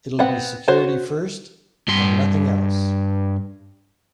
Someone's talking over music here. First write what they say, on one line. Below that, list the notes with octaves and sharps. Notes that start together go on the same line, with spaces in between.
It'll be security first-and nothing else.
B3 C4 F#5
F#4 C5 C#5
G2 C6